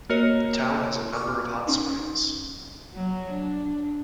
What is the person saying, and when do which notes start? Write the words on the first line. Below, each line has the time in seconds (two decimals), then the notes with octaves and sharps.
The town has a number of hot springs.
0.10 A#3 F#4 A#4 C#5 D#5
1.13 C#6 D6 F6
1.67 C#4 D#4
2.94 F#3
3.31 D4